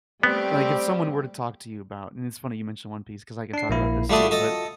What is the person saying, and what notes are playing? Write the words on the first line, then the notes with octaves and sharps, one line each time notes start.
Like, if someone were to talk to you about and it's funny you mentioned One Piece 'cause I can talk about this, too, but
G3 A3 B3 C4 G4
D4 C7
A#1 A#3 E4
G3 A3 D4 F4 F#4 D#6
A4 D#5